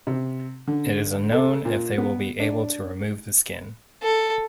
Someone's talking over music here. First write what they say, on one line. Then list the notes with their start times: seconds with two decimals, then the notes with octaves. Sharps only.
It is unknown if they will be able to remove the skin.
0.07 C3
0.67 D3
1.32 A4
1.65 A#2
1.98 B3
2.40 D4
4.03 A4